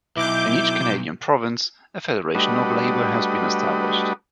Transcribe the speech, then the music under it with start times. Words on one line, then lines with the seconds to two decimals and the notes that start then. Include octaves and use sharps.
In each Canadian province a federation of labour has been established.
0.17 B1 E4 D6 G6
2.35 G3 A3 D4 F#4 B4 D#5